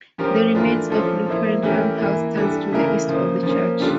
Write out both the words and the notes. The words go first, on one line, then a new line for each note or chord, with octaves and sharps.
The remains of Luffenham House stands to the east of the church.
F3 C#4 G4 A#4
E3 A3 D4 F4 A#4
F3 C#4 F4 A4
F3 A#3 E4
E3 A3 C#4 G4 A#4
E3 A#3 E4
E3 G3 D4 A4
C#3 E3 A3 E4 A#4
C#3 F3 A#3
F3 A#3 C#4
C#3 G3 D4 F4 A4